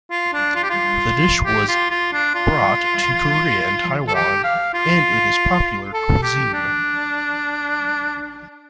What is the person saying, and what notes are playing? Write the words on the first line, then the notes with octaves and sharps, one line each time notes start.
The dish was brought to Korea and Taiwan, and it is popular cuisine.
F4
D4
F4
G4
F4
G4
F4
F4
D4
F4
A4
G4
F5
F4
A4
G4
D4